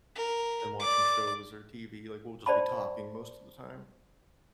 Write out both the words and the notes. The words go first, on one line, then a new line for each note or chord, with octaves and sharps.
than watching shows or TV, like, we'll just be talking most of the time.
A#4
D5 D6
C5 D5 G5 A5 B5